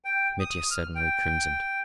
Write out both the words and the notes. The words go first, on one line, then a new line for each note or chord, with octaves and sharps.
Mitya suddenly crimsoned.
G5
D#6
F6
G5